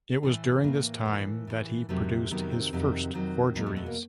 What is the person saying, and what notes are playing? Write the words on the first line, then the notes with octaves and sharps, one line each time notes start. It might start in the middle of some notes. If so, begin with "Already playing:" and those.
It was during this time that he produced his first forgeries.
A2 E3
A2 E3 A#3
A2 E3
A2 E3
F2 C3 D#3 F#3 A3
F2 C3 D#3 F#3 B3
C4
F2 C3 D#3 F#3
F2 C3 D#3 F#3
E2 B2 F#3 A#3
A3
A3
A#3